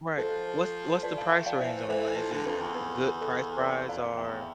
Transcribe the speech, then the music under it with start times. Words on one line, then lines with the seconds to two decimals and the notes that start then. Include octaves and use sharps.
Right, what's what's the price range on it, like, is it good price rise or
0.18 F3 A4 C5
1.03 F3 B4 D5
1.18 F5 A5
1.32 E5 G5
1.46 D5 F5
1.60 E3 C5 E5
1.89 E3 A4 C5
2.17 F3 B4
2.32 D3
2.46 F2 B4
2.61 E2
2.75 B4
3.03 B4
3.21 A4
3.32 B4
3.60 B4 D5
3.89 F2 D5 F5
4.17 E2 E5 G5